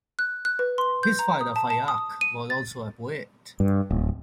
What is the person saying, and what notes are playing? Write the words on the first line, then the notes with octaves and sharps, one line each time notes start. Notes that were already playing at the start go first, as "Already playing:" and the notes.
His father, Fayaq, was also a poet.
F#6
F#6
B4
C6
G6
A#5
D#6
A5
A5
D#6
D#7
A6
G2
D1